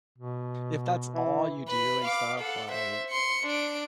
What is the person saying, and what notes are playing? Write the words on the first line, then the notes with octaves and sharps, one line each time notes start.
if that's all you do and stuff, like,
B2
E3
B4 B5
F5 D6
A4 F#5
C5 E5
C6 C#7
D4 D7